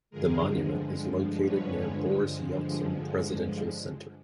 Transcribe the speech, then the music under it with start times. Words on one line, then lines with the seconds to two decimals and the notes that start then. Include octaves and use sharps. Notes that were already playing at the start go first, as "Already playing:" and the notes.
The monument is located near Boris Yeltsin Presidential Center.
0.11 G2 D3 F3 G#3 G#4 A#4
1.42 B4 C#5